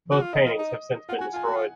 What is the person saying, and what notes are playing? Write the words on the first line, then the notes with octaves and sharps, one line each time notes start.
Both paintings have since been destroyed.
F#4
F4
D#4 D#5
F4
D#4
F4 F#5
F#4 G#5
F4 G#5
F#4
F4